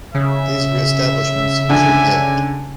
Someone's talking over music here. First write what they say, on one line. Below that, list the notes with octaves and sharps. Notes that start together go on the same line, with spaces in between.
These re-establishments were short lived.
C#3 E5
D3 G#5